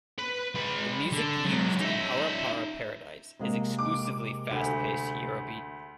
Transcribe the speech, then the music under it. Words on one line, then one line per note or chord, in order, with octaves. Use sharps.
The music used in Para Para Paradise is exclusively fast-paced Eurobeat.
B4
G#3 B5
D3
F#2 G#3
D#4 E5
C3 G#3 A#3
D6
D2